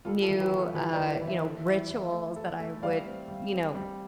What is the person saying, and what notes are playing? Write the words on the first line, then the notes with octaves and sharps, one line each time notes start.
new, uh, you know, rituals that I would, you know,
G3 F4 A4
F4 A4
E3
G4 B4
E3
F4 A4
E3 G4 B4
B4 D5
E3
B4 D5
E3
C5 E5
A4
E4
E4
A3
A4
A3
G3 D5 F5
C4
G3
C4
G3